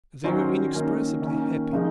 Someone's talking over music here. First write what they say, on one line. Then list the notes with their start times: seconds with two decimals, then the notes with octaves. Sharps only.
They were inexpressibly happy.
0.24 D#3 F#3 C#4 F#4 C5
0.73 D#3 A#3 C#4
1.22 D#3 A#3 C#4
1.72 C3 F3 G#3 D#4